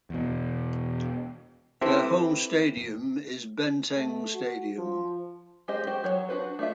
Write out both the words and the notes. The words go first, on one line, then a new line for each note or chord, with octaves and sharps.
Their home stadium is Benteng Stadium.
E2 B2
C4 E4 G4 A4 B4 C5
A3
F#4
F3
G#3 G4 C5 D#5
F#4 G4 C5 G5
F#3 C#5
D4 F#4 B4 C5
A3 D4 F4 E5